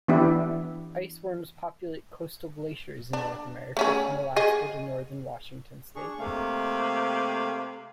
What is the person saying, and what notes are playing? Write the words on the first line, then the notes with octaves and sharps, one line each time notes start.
Ice worms populate coastal glaciers in North America from Alaska to northern Washington state.
E3 B3 D4 E4 G4
D4
A3 C#4 G#4
G#4 D#5
D4 G#4 C#6
C3 A3 A#3 F5